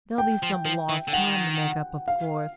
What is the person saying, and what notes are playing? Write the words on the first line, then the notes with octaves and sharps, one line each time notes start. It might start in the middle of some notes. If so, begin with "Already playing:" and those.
There'll be some lost time to make up, of course.
G5
F3
F3
E3
D3
D#3 F#5
F5